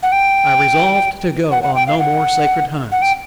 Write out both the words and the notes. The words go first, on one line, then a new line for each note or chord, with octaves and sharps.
I resolved to go on no more sacred hunts.
F#5
G5
F#5
F#5
G5
F5
F#5
F#5
G5